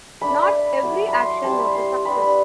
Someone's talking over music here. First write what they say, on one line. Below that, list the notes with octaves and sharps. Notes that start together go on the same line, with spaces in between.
Not every action was a success.
A3 D4 B5
B5
F#3 A3 E4
B5
C6
G3 C4 E4 A5
B5
C6
G3 B3 D4 B5
B5